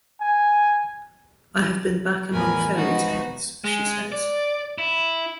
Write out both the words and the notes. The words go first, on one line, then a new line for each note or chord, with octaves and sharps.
"I have been back among fairy tales," she says.
G#5
E2 A2 F3 A#4 G#5 B5
D#3 F3 G#3 D#4 F#4 B4
G#3
D5
E4